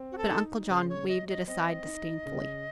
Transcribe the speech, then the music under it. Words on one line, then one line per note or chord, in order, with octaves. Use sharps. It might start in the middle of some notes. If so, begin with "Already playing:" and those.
But Uncle John waived it aside disdainfully.
Already playing: C4
F#4
A4
D#4
C#3 C5
C#5
F#3 D#5
D#5
C4 D#5
D#4
C#3